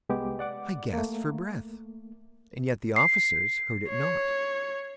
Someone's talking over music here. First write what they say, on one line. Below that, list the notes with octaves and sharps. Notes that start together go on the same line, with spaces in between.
I gasped for breath--and yet the officers heard it not.
C2 G#3 B3 G4 D6
D5 F#5 D6
A3 A#3
C7
C#5